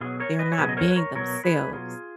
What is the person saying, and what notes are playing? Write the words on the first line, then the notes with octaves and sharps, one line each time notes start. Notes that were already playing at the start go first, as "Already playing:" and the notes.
they're not being themselves,
B2 F#3 F4 G#4
A#4 C#5
B4 D#5
C#5
B2 F#3 G#4 B4
D#5
A#4 C#5
B4
A#4 C#5
B2 F#3 A#4 C#5
G#4 B4
B2 F#3 F4 G#4